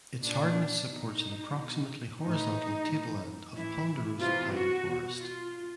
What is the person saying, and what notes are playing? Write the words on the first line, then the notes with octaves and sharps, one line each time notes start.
Its hardness supports an approximately horizontal tableland of Ponderosa Pine forest.
A#2 D4
B2 D#4
B2
A2 E3 D#4
A2 E3
A2 E3 E4
C3 E3 F4
F#4
B2
F4